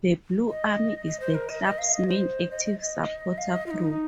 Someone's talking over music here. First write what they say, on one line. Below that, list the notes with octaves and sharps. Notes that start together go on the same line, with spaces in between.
The Blue Army is the club's main active supporter group.
D#5
D#5
C5
A#4
D#5
D#5
F5
D#5
C5
D#5
D#5
D#5
F5
D#5
F4
D#4